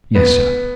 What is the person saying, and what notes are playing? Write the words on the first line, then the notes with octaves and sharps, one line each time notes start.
"Yes, sir."
B3